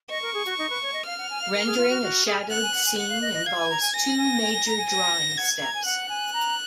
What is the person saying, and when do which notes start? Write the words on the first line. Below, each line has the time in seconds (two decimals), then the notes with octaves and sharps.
Rendering a shadowed scene involves two major drawing steps.
0.10 D#5 C#6
0.22 A#4
0.34 G#4
0.46 F#4
0.58 D#4
0.70 B4
0.82 C#5
0.93 D#5
1.06 F5 F6
1.18 F#5
1.30 G#5
1.41 F5
1.54 A#4
1.66 G#4
1.77 F4
1.89 F#4
2.02 F#4
2.26 G#4
2.41 G#5
2.50 F#5 F#6
2.62 G#5
2.74 F#5
2.86 G#5
2.98 F#5 F#6
3.09 F5
3.21 D#5
3.33 D#5
3.46 F5 G#6
3.58 G#5
3.70 A#5
3.81 G#5
3.93 G#5 A#6
4.18 G#5
4.42 G#5
4.54 G#5
4.66 A#5
4.78 G#5
4.90 A#6
5.37 F#5 G#6
5.62 A#5
5.74 G#5
5.85 F#5 F#6
6.09 G#5
6.33 A#5